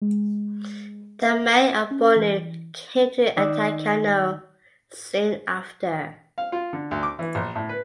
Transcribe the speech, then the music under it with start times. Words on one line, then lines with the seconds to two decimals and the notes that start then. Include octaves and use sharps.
The Mai of Bornu came to attack Kano soon after.
0.02 G#3
1.22 E5
1.91 C#4
2.16 E3
3.36 D#3 D#4 D5 E6 F#6
6.38 F5
6.52 F4
6.73 D3
6.91 D2
7.03 D6
7.19 E3
7.35 A#1
7.55 A2
7.69 B4